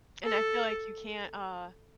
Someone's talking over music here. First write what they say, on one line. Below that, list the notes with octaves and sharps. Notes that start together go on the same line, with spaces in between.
And I feel like you can't, uh
A4